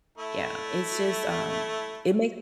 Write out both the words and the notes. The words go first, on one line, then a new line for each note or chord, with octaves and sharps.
yeah, it's just, um, it makes
A3 E4